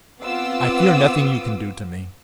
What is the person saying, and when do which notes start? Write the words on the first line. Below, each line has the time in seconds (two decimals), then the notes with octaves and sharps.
I fear nothing you can do to me.
0.20 B3 C4 F4 F#5 D6 E6